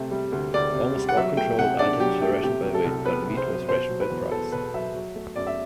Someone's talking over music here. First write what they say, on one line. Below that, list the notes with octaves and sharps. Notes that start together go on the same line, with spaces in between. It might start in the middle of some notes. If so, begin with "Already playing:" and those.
Almost all controlled items were rationed by weight but meat was rationed by price.
Already playing: C3 A3
G3
D2
D2 D5
C3
G3
F#5
F#3 E5
A3 G5
C3 F#5
D4 D5
F#3 G4
A3 G4
C3 G4
F#3
A4
C2
B3 B4
C3
C5
F#3
B2 C5
F#3
B4
E2
E2 A4
B2 B4
F#3 E5
F#3
A3
F#2 D5
E5